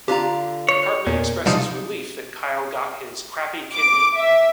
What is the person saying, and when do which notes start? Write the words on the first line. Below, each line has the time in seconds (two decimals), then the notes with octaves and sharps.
Cartman expresses relief that Kyle got his "crappy kidney".
0.08 D3 D4 F4 G4 A#5
0.69 C#5
1.07 E2 A#2 C#5
1.46 G#2 C3 F3 G3 D#4
3.74 D6
4.15 E5